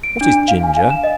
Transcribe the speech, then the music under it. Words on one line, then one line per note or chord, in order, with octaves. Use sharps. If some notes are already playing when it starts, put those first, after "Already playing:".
What is Ginger?
D7
D4
D4
F5
G#5
F5
E7
D#5